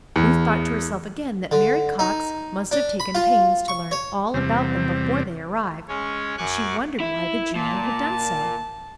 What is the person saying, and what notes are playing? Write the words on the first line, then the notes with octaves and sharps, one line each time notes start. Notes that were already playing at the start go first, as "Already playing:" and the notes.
Ruth thought to herself again that Mary Cox must have taken pains to learn all about them before they arrived, and she wondered why the Junior had done so.
E2
D3
D#4
D4
B5
F4
C#6
C#5
E2 C3 G3 C4
G#3 C#4 C#5
F#2 G#5 C#6 D6 F#6
E4
A#2 A5